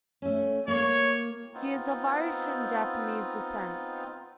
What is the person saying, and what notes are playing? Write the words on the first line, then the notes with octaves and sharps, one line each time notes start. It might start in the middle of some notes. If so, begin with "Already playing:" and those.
He is of Irish and Japanese descent.
A3 C#4
A#3 C#5
B3 C4 D#4 F4